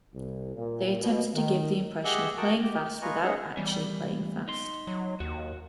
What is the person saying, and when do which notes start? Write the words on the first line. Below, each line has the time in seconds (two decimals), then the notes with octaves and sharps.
They attempted to give the impression of playing fast without actually playing fast.
0.13 C2
0.56 A#2
1.00 B2
1.33 D#3
2.04 G4 G#4 D#5 E5 F#5 E6
2.37 F#4 A#4 G5 A5 C#6 D#6
2.64 G4
3.02 F4 B4 D#5 G#5 A#5 C#6
3.23 C#4 D#4 G#4 D#5 E5 F#5
3.57 E3 G3 B3
4.48 D#4 C6
4.87 F#3
5.20 D#2 F#4